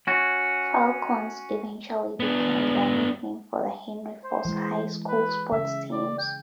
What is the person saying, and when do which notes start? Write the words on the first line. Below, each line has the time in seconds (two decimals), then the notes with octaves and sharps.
"Falcons" eventually became the nickname for the Henry Foss High School sports teams.
0.07 C#4 F#4
2.20 B3 D4
4.24 C5
4.45 E3 G#3
5.08 B4
5.52 C#3 E5
5.92 D5
6.18 G5